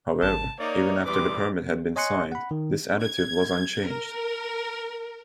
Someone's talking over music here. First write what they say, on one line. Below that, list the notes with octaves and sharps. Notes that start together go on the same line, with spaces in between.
However, even after the permit had been signed, this attitude was unchanged.
G#1 A5
A#3 D#4 C#5 D5 D6
E2 G3 B4 C6 D6
C#5 D#5 G#5 C6 F#6 C#7
F#5 B5
D#3
G#6
A#4